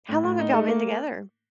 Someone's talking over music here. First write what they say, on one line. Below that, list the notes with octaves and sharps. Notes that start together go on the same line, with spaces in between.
How long have y'all been together?
A2
A2
D#4
A3
A#3